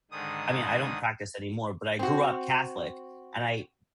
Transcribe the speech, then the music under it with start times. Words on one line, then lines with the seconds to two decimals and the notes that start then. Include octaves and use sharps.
I mean, I don't practice anymore, but I grew up Catholic, and I
0.11 G#2 D3 D#3 D#6
1.99 C4 F#4